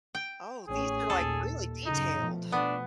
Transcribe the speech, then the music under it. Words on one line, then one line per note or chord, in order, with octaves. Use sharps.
Oh, these are like really detailed.
G5
A1 C#4 G#4
D#2 A#2 A4
F#2 C#3 D#4
B2 F3 A3
B3 D4